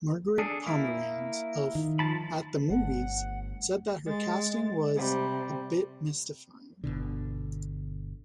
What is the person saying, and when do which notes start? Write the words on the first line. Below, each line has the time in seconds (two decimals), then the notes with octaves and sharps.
Margaret Pomeranz of "At the Movies" said that her casting was "a bit mystifying".
0.38 D4 G#4 A4
0.66 A#3 E4
1.75 D#3
1.99 F3 A5 B5
2.70 G1 G3 A3 F#5
4.05 G#3 A6
4.96 C3 G3
6.84 G1 C2 B2 D3